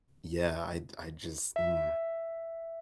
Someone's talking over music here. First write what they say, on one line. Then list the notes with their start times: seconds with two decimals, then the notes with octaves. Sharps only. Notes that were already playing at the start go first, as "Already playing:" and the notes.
yeah, I I just mm.
1.56 E5